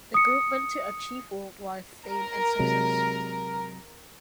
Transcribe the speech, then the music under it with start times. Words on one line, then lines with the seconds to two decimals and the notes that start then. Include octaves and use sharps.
The group went to achieve world wide fame and success.
0.14 D#6 C#7
2.08 A#4
2.59 C3 F#3 G#3